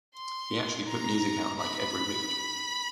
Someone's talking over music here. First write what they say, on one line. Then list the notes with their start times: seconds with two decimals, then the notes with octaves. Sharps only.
He actually put music out like every week.
0.14 C6
0.86 A#5
1.59 B5